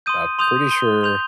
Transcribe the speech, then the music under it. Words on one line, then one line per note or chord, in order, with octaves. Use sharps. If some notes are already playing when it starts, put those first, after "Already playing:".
I'm pretty sure
C6 D#6 G6 D#7
C6 D#6 G6 F7
C6 G6 G7
C6 G6 F7